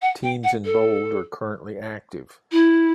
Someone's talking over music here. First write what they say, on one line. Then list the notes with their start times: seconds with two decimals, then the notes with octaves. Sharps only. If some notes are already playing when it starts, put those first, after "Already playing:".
Teams in bold are currently active.
0.01 F#5
0.23 G5
0.43 F#5
0.64 A4
2.51 E4